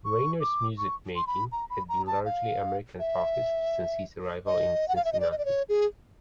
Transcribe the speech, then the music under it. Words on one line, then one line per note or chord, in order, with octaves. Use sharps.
Reiner's music-making had been largely American-focused since his arrival in Cincinnati.
C#6
D6
C#6
C6
B5
A#5
B5
A#5
A5
F5
E5
D#5
F#5
F5
E5
D#5
D5
D#5
D5
C#5
G#4